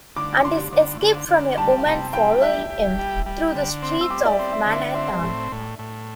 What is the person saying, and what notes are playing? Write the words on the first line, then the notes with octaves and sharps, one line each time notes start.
And his escape from a women following him through the streets of Manhattan.
D3 D6
D3 C6
D3
D3
D3
G3 A5
C3 A5
G3 G5
G4 E5
G4
G3
G3
D3
C4
E6
G3 D6
D5
E5
C4
E5
D3
E5
C4 E5
A2
A2
A2